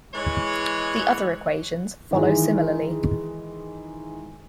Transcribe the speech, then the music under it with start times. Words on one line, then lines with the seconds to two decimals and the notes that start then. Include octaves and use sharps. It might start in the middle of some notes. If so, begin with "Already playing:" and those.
The other equations follow similarly.
0.13 E3 G#3 C#5
2.11 D#3 E3 G#3